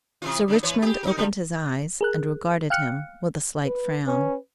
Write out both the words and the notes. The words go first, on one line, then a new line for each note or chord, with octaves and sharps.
Sir Richmond opened his eyes and regarded him with a slight frown.
C3 E3 F4
D3 F#3 D#4
E3 B4 C#5
G4 G#4
D#4 A#4
D3 G3 B4
G#4 A#4 F#6
F5 G5 F6 F#6 C#7
B4
C#4 B4